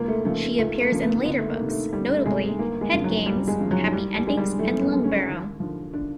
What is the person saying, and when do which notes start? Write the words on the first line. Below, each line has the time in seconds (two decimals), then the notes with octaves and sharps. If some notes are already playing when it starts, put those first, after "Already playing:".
She appears in later books, notably "Head Games", "Happy Endings", and "Lungbarrow".
Already playing: C#2 A#3
0.08 A3
0.25 C#3 F3 A3
0.58 C#2 A3
0.81 A#3
0.92 C#3 F3
1.03 B3
1.25 D2 B3
1.40 A3
1.48 A#3
1.59 C3 D#3
1.70 A3
1.92 D2 G3
2.16 A3
2.26 C3 D#3 G#3
2.59 G1 A#3
2.81 G#3
2.92 F2 C#3 F3
3.04 F#3
3.26 G1 G3
3.48 G#3
3.59 F2 C#3 F3
3.71 F#3
3.92 F#1 G3
4.15 G3
4.26 F#2 D3 G#3
4.37 G3
4.59 F#1 A3
4.81 B3
4.93 F#2 D3
5.05 C#4
5.27 D#2
5.60 D3 F3
5.94 D4